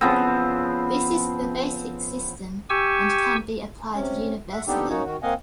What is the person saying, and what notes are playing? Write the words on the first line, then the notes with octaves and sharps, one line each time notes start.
This is the basic system, and can be applied universally.
C#3 F3 B3 C4
G4 G#5 C#6 E6
C3 C#4
E5 F#5
B3 C4 D4 D#4 G4 A4
A#3 C#4 D#4 F#4 C#5
D#3 F#4
A#3 C4 D#5 F5 F#5 G#5